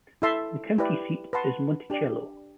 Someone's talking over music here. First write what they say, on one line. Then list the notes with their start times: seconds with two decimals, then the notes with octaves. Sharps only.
The county seat is Monticello.
0.22 E4 A4 E5 A5 C6
0.78 E4 G4 B4 D5
1.33 B4 F#5 A5 C6
1.90 D4 G4 D5